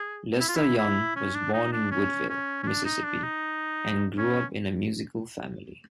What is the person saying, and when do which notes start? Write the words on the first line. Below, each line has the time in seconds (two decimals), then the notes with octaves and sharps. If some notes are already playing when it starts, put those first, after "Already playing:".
Lester Young was born in Woodville, Mississippi, and grew up in a musical family.
Already playing: G#4
0.40 E4
0.48 F4
0.56 E4
0.78 E4
1.16 C#4
1.34 D4
1.53 D#4
1.72 D4
1.91 C#4
2.29 C#4
2.63 C#4
2.67 D4
2.85 D#4
3.04 D4
3.24 D#4
4.18 C#4